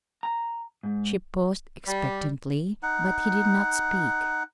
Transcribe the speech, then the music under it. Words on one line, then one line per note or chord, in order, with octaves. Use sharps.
She paused expectantly, but he did not speak.
A#5
G#2
G3
D#4 F#5